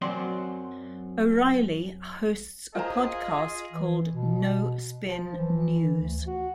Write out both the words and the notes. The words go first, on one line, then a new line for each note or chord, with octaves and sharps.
O'Reilly hosts a podcast called "No Spin News".
F#2 F#3 C4 D5 C6
F4 G#4 A#4 C5 D#5 A#5
E3
B2
F3
E3
D2
F#4